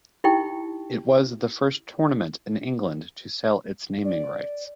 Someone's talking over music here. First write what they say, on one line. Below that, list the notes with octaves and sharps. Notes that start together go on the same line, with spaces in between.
It was the first tournament in England to sell its naming rights.
D#4 E4 G4 G5
D5